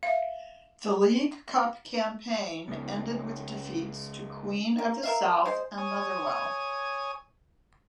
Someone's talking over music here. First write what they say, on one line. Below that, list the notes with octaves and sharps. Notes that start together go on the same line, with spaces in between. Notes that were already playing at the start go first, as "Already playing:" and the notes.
The League Cup campaign ended with defeats to Queen of the South and Motherwell.
E5 F5
C#2 B3
A#4
A#4 E5 F5
G#3 C5
C#5 G#5 D#6